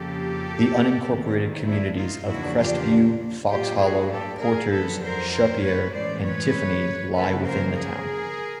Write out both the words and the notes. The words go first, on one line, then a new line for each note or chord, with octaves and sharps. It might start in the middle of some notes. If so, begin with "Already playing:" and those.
The unincorporated communities of Crestview, Foxhollow, Porters, Shopiere, and Tiffany lie within the town.
Already playing: F2 C#3 F3 A#3 G4 A4
D2 C3 D#3
D4 E4
D#4 F4
E2 C#3 F3 A#3 D4 E4 F#4
F4 G4
A2 F#3 A#3 D4 F4 G4
F#4 G#4
G4 A4
G#4 A#4
F2 D3 F#3 A4 B4
A#4 C5
A#4 C5
B4 C#5
A2 E3 G#3 C#4 C5 D5
B4 C#5
C#3 F3 A#3 C#4 A4 B4
A#4 C5
G#4 A#4